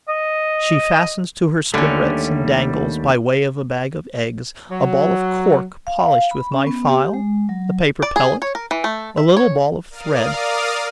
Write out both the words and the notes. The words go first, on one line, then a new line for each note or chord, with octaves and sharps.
She fastens to her spinnerets and dangles, by way of a bag of eggs, a ball of cork polished with my file, a paper pellet, a little ball of thread.
D#5
D#2 D3 G3 A3 C#4
F#3
F5
F5
B5
C#4
B3
G4
G#3
F#3
D5
G#4
C#5
A#4
E3
A3
E5
C#5
A#4 D5 F5 D#6 F6